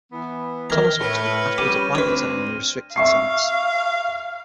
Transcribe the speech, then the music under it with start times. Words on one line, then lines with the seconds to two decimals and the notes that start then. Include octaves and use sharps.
Thomas Huxley afterwards applied the term in a restricted sense.
0.12 E3 B3
0.70 D#3 A#5 F6 G#6 A#6
0.98 A2 B4 C#5
1.58 F2 G3 C#4 G4 D#7
1.95 D2 C4 D4 B4 C#5
2.96 E5 F5 C#6 C7